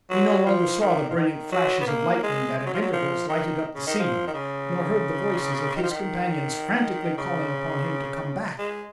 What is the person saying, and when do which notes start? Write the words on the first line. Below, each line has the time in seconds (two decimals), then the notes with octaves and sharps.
He no longer saw the brilliant flashes of lightning that at intervals lighted up the scene, nor heard the voices of his companions frantically calling upon him to come back.
0.10 F#3
0.46 F3
0.81 D#3
1.10 F3
1.16 D#3
1.52 F#3
1.81 B3
1.87 A#3
2.23 G#3
2.58 G#3
2.66 F#3
2.74 F3
2.82 F#3
2.93 F3
3.29 D#3
3.75 C#3
3.87 D#3
3.99 F3
4.27 D#3
4.34 C#3
5.76 D#3
5.83 F3
5.91 D#3
7.18 C#3
8.58 G#3